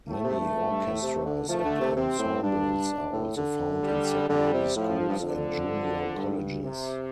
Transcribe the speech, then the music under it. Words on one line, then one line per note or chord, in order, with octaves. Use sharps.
Many orchestras and ensembles are also found in secondary schools and junior colleges.
A2 A3
C3
G2
F2
G2
A2
C3
D3
F3 A3
D3
C3
C3 C4
A2
G2 D4
A2
D3
G3
D3 G3
C3
A2 F3
F2
G2
F2 D3
G2
C3